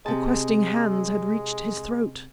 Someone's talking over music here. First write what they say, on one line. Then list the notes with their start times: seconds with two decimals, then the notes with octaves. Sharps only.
The questing hands had reached his throat!
0.06 C3 G#3 A5